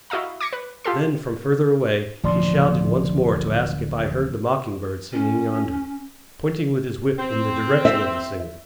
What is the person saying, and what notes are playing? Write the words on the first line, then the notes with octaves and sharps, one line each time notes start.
Then, from further away, he shouted once more to ask if I heard the mocking-bird singing yonder, pointing with his whip in the direction of the singer.
E4 F#4 D#5 F5 A#5
D6 G#6 A#6 C#7
B4
F4 G4 A4 C6
D1 A#1 B2 F3 D5 C6
C#4
C4
E5